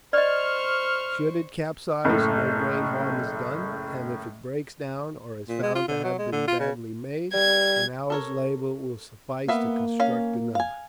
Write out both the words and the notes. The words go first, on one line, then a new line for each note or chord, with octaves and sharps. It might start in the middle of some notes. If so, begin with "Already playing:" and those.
Should it capsize, no great harm is done; and if it breaks down, or is found to have been badly made, an hour's labour will suffice to construct another.
C5 D5 D#5 C#6 F6
F#1 A2
A#2
G#3
F4
D3
F#3
G#3
D3
F4
C#3
G3 G#6
A4 A#4 C#5
A#3 B3 E5 F5
C#4 F5
F5 G#5